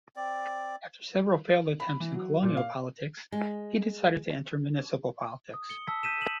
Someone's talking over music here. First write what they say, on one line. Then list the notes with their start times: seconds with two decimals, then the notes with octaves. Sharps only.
After several failed attempts in colonial politics, he decided to enter municipal politics.
0.16 C4 D5
1.80 B5
2.00 E3
2.14 F#3
2.43 A#2
2.57 F5
3.32 G#3
5.54 D#6
5.69 C#7 G7
5.87 A5 E6 B6
6.03 G6 B6 D#7 E7
6.21 E7 F#7